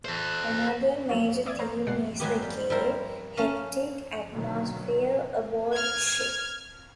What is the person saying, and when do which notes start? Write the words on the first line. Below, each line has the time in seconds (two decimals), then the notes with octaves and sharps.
Another major theme is the gay, hectic atmosphere aboard ship.
0.05 A4 C5
1.09 F#3 A3 F#4 A4 A#4 C#5
1.46 C4 D5 E5 D#6 G#6
1.59 A#4 C5 C#5 F5 A#5
1.87 B2 G#3 D5 F#5 C7
2.20 F#3 G#3 B3 G4
2.42 G3
2.70 G3 E4 A#4 C5
3.37 C#4 F5 A5 A#5
4.32 B2 D3 D#3 F#3
5.74 F6 G#6